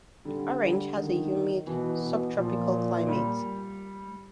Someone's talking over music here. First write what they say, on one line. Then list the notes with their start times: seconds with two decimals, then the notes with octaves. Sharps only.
Orange has a humid subtropical climate.
0.25 D3 G3
0.60 G3
0.95 D#3
1.67 B2 E3
2.02 B2
2.37 A#2 F3
3.08 G3